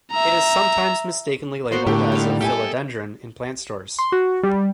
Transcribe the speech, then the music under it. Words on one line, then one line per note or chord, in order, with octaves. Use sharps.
It is sometimes mistakenly labeled as a "Philodendron" in plant stores.
E5 A#5
A#3 B3 F#4 C5
A2 D3 G4
G3 D#4 F5
G4 A4 D#5 E5 G#5
C6
F#4
G3